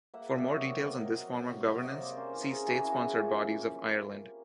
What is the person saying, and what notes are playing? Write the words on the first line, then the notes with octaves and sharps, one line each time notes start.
For more details on this form of governance, see state-sponsored bodies of Ireland.
A#3 E5 F#5
C3 D5 E5
F#3 C#5 D#5
C3
A#3
F#3
F#3
C3
F#3
C3 C#5 D#5
C3 D#5
C5 D5
A#3
C#4 A#4 C5
E3
G#4 A#4
C#4
E3 F#4 G#4
E3
F#4 G#4
C#4
C#4 F4 G4
C#4